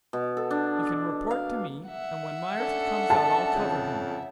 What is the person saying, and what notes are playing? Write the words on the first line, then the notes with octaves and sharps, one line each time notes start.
You can report to me, and when Myerst comes out I'll cover him.
B2
A4
D4
F5
E5 F#5
C#4 D4 A4
A5
F2 C#3